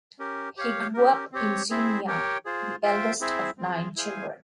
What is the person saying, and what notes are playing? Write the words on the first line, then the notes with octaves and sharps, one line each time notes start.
He grew up in Xenia, the eldest of nine children.
C#4 G4 A#4
G4 C#5 F5
C#4 G4 A#4
C4 G4 C#5
C4 E4 G#4 C5 E5
G4 A#4 C#5 G5
F4 G#4 C5
F4 C5 E5 G5
C4 E4 G#4 C5 E5
C4 F4 G#4
E4 G#4 C5 F5 G#5